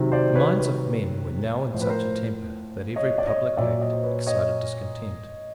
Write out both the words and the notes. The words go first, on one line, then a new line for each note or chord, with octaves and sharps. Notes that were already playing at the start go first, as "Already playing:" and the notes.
The minds of men were now in such a temper that every public act excited discontent.
Already playing: C3 D#3 F#3
C5 D5
B4 C#5
B4 C#5
A2 F3 C5
B4
A#4 C5
C#5 D#5
D5
C#5 D#5
A#2 F#3 D5 E5
C#5 D#5
C5
B4 C#5
C#5 D#5